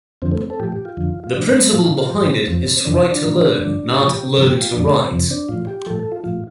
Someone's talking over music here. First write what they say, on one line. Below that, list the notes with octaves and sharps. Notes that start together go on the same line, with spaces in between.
The principle behind it is 'write to learn, not learn to write'.
F2 D3 F3 C4
A3
C4
A4
A2 F3 G4
G4
F4
F2 D3 F3
F4
A2 F3 D4
D4
C4
A2 F3 F4
F4
F4
G2 F3 G4
C4
F2 F3 C4
C4
C4
F2 C3 F3 D4
F4
D4
A2 F3
G2 D3 F3
G4
A2 F3 F4
G4
C4
G2 D3 F3 C4
G4
F4
F2 F3 D4
A3
C4
F2 C3 F3 C4
D4
A2 F3 F4
G4
A2 F3 A4
A4
F4
A2 F3 F4